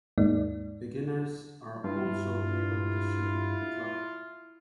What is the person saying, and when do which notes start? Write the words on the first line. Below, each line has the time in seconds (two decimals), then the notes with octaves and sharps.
Beginners are also able to shoot at the club.
0.18 D#2 G#2 G#3 A#3 D#4 D5
1.84 G2 E4 F4